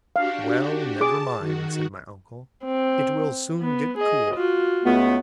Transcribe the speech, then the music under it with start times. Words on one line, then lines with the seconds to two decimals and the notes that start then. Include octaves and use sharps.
"Well, never mind," said my uncle, "it will soon get cool."
0.16 D4 F#4 G4 F5
1.01 G#4 A5 D6
1.39 D#3 F#4
2.64 C4
3.61 B3
3.97 G#4 D#5
4.34 F4 F#4
4.84 C#2 A3 B3